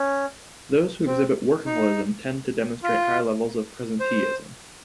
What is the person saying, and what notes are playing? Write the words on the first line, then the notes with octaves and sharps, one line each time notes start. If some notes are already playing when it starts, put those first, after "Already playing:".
Those who exhibit workaholism tend to demonstrate higher levels of presenteeism.
Already playing: C#4
C4
D#4
F4
C5